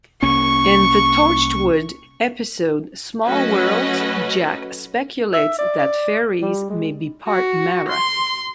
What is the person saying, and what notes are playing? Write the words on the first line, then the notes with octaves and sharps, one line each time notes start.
In the "Torchwood" episode "Small Worlds", Jack speculates that "fairies" may be "part Mara".
C2 A#3 C#4 C#6
F#3 A3 C#4 F#4 B4 D#5
E5
D5
D5
G3
G#3
F#4
C6